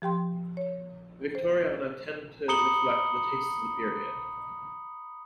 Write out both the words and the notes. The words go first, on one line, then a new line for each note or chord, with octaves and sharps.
Victoriana tend to reflect the tastes of the period.
F3 G4 G5 C6
C#5
C5
A#5 B5 D#6 C#7 F#7 G7